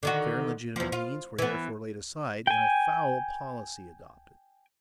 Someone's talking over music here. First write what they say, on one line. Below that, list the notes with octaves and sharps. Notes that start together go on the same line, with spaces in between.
Fair and legitimate means were therefore laid aside, and a foul policy adopted.
D3 D#3 F#4
E2 F3
F4
E3 B3
G5 G#5